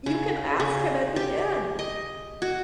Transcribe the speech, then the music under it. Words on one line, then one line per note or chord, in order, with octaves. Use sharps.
you can ask him at the end,
C#3
C#3
G4
D#5
F#4